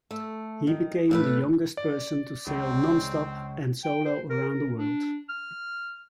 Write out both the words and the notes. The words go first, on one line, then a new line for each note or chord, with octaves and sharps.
He became the youngest person to sail non-stop and solo around the world.
A3
D#3
A2 A3 B4
D5
C#2 C4
G5
C5
A#4
A#4
D4
F6